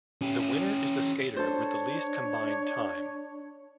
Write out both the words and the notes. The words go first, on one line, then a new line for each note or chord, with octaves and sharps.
The winner is the skater with the least combined time.
C#4 G4
D4 A4 C5 C#5